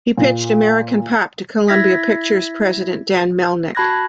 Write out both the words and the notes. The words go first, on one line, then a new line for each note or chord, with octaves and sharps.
He pitched "American Pop" to Columbia Pictures president Dan Melnick.
A#2
E4 E5 G#6 A#6 B6
F#4 A5 B5 F#6 G#6 A#6